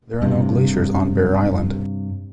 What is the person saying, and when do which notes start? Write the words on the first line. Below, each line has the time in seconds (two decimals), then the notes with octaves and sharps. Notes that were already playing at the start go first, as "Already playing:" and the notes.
There are no glaciers on Bear Island.
0.22 G2 C3